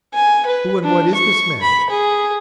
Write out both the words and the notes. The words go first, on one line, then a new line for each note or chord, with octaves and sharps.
"Who and what is this man?"
G#5
B4
D4
C#6
B5
G#4